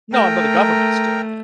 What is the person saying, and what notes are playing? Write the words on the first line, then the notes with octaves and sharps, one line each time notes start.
No, but the government's doing it.
A3 A#4 G5 A#5